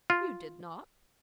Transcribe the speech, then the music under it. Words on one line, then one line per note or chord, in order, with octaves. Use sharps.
"You did not."
F4